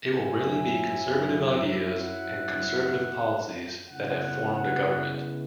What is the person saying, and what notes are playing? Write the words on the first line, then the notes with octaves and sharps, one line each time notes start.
It will really be Conservative ideas and Conservative policies that have formed a government.
F#2 F#3 E4 G#5
F#5
C#3 G#3 B3 E4 F#5